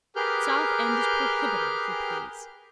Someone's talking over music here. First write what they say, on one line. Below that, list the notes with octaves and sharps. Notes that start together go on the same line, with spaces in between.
South End is prohibited, if you please.
G4 G#4 A#4 B4 F6 G6